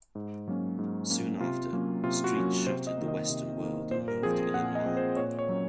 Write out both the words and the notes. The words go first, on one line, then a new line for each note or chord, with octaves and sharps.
Soon after, Street shuttered the "Western World" and moved to Illinois.
G#2
F#3 A#3 C#4
G#2
F#3 A#3 C#4
C3 F4
F#3 A#3 C#4
C3 F4
F#4
F#3 A#3 C#4
C3 C5
D#5
D#3 A#3
D#5
C3
D#3 A#3
A#2 C5
A#4
F3 C4 G#4
A#2 F#5
D#5
F3 C4
C5
A#2 C#5
C#5
F#3 C#4